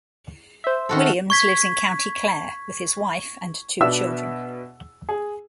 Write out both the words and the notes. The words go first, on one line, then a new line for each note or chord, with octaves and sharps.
Williams lives in County Clare with his wife and two children.
C5 E5
D#3 F#4 A4
C#6 G#6 B6
B2 B3 D4 E5 E6
G#4